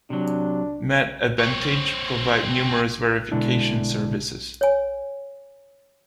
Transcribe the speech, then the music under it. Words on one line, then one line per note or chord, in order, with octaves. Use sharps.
Med Advantage provide numerous verification services.
C3 F#3 D4
C4 C#5
B2 D3 G#3 D4 E4
C#5 G#5